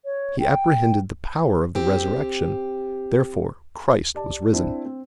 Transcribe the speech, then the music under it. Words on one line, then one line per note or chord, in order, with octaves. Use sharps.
He apprehended the power of the Resurrection, therefore Christ was risen.
C#5
G5
C4 G4
G4 D5 A5
C4 D4 E4 C5
C4